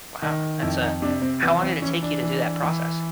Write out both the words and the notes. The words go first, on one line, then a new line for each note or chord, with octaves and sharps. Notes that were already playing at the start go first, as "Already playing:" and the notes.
Wow, that's a How long did it take you to do that process?
D#3
F2 E4
D#4
C3 D4
C4
E3 B3
C4
E3 C#4
D4
E3
E3